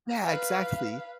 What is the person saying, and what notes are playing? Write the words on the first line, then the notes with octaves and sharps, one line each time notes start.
Yeah, exactly.
B4 F5